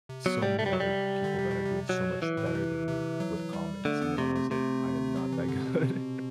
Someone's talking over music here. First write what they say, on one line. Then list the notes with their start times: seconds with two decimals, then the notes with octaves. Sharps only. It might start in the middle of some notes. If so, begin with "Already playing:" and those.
so many other people that are doing so much better than me with comics," you know, and I was like, "I am not that good,"
0.09 C3
0.26 F#3 B3
0.42 C3 G3
0.59 C3 A3
0.66 G3
0.73 F#3
0.80 G3
1.24 D3
1.38 C3
1.51 B2
1.64 C3
1.89 B2 F#3
2.22 E3
2.37 A2
2.46 B2
2.55 C3
2.88 C3
3.20 F#3
3.53 G3
3.85 D3 A3
4.02 B3
4.18 C3 A3
4.35 A3
4.50 C3 A3
5.16 F#3
5.32 E3
5.48 D3
5.66 B2